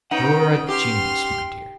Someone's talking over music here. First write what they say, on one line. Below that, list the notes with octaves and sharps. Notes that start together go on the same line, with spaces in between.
'You're a genius, my dear.'
C#4 D#4 B4 F#5 G5
G4 C6 F6